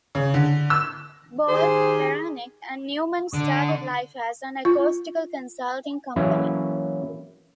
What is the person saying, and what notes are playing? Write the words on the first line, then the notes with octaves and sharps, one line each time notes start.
Bolt, Beranek and Newman started life as an acoustical consulting company.
C#3
D3
E6
D#3 G4 G#4 C5
D3
F4
E3 F#3 A#3 C#4 E4